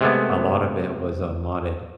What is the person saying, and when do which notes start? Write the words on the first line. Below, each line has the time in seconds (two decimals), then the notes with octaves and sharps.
a lot of it was a modded
0.01 C3 G#3 A3 B3